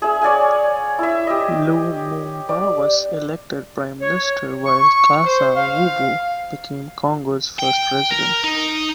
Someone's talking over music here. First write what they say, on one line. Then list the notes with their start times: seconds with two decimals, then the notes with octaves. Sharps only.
Lumumba was elected Prime Minister, while Kasa-Vubu became Congo's first President.
0.02 G#4 E5
0.21 C#5 D5 F5 G#5
0.99 E4 E5
1.27 G4 D#5
2.49 D5
4.01 C#5
4.64 C#6
5.26 C5
5.56 F5
7.59 G5
8.11 A#4
8.44 D#4